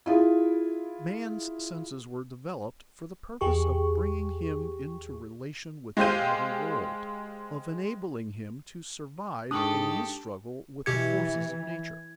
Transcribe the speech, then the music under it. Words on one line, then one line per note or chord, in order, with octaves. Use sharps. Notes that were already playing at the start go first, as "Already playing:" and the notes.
Man's senses were developed for the purpose of bringing him into relation with the outer world, of enabling him to survive in his struggle with the forces of nature.
E4 F4 G#4
E2 G4 G#4 C#6
G#3 G4 C5 F5 G6 D#7
G#2 D4 G4 A4 C#6 D#6
B2 E3 G4 G#6 C#7